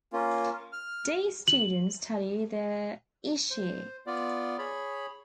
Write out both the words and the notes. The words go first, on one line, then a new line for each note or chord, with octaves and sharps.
D. students study there each year.
A#3 C#4 F4
F6
F#7
C5
B3 F4 D5
G#4 C#5 B5